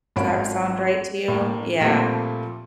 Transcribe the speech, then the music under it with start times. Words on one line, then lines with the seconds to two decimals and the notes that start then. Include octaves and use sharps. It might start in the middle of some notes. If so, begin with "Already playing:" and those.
Does that sound right to you? Yeah.
0.16 G#1 F3 C#4 F#4 B5 D7
1.28 A2 A#3
1.81 A#2 F3 G3 A3 C4